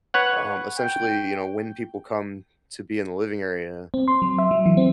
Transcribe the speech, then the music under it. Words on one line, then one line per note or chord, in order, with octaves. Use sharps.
um, essentially, you know, when people come to be in the living area,
B4 C#5 F#5
G5
C4
C6
F#3
E5
F#3
E3
C4